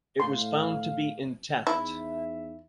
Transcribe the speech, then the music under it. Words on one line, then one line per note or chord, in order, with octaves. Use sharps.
It was found to be intact.
A2 F5 C6
E2 D#4 E4 E5